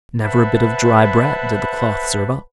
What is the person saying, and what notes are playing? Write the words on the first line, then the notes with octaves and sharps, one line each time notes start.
But never a bit of dry bread did the cloth serve up.
B4 C5 E5 F#5 A5 B5